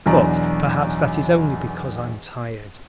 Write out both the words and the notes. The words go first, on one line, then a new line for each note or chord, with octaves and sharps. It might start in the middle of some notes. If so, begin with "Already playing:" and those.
But perhaps that is only because I'm tired.
B1 E2 D4 D5 A#5